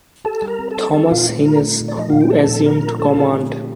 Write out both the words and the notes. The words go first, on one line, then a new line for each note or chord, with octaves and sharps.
Thomas Hines, who assumed command.
G4 A4 A5
G3
A#4 A#5
C4
A4 A5
G3
C4 A4 A5
A#2 F4 F5
A3
F4 A#4 A#5
A3
A#2
D5
F3 D#5
A#2 F5
G5
C4 A4 A5
A#2
A3 A#4 A#5
F4
D4 A4 A5
D3
A3
G4